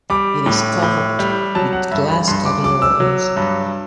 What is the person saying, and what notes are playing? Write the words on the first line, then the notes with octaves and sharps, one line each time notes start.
It is covered with glass curtain walls.
G3 D6
A2
A2
G3
F#3 A5
F#5
G2 E5
B5
G2 C6
D6
F#3 D6
E6
F#3
G2